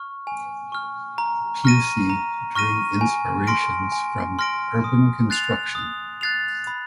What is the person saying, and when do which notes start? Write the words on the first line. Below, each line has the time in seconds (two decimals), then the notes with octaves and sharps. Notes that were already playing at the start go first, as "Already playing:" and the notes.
Pusey drew inspirations from urban construction.
Already playing: C#6 F6
0.27 G#5
0.72 C#6 F6
1.18 A#5
1.64 C#6 F6 A#6 D#7
2.10 A#5
2.55 C#6 F6 A#6 D#7
3.01 G#5
3.47 C6 F6 A#6 D7
3.92 G#5
4.39 C6 F6 A#6 D7
4.84 D#6
5.30 F#6 A6 C7 F7
5.75 D#6
6.21 F#6 A6 C7 F7
6.67 B5